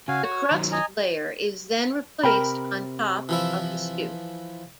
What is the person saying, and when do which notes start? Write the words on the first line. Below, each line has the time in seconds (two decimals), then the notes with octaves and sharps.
The crust layer is then replaced on top of the stew.
0.08 C#3 F#4 F5 G#5
0.24 F#4 C#5
0.51 D#3 F#3
0.72 D#5 G#5 A#5
2.23 C3 A#4 G5 B5
3.29 E3 F3 E4